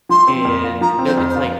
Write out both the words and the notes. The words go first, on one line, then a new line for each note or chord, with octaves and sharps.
and they'll it's like,
F3 C6
C4
F2
F4
F3 A#5
C4
C5
F2
C5
F4